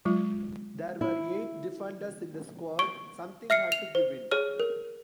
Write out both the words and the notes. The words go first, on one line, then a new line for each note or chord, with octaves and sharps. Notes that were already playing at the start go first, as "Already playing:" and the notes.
There were eight defenders in the squad, something had to give in.
F#3 G#3 F4
E4
C#6 D7
E5 F6 C7 C#7
F7
C5
G#4 C#5 F6
A#4